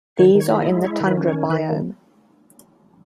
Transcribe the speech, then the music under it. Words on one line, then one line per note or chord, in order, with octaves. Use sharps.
These are in the tundra biome.
D#3 C#5
D#3
C#5
E4
D#5
G#3
E4 C#5
D#3
B4
C#4
C#5
D#3
D#3 B4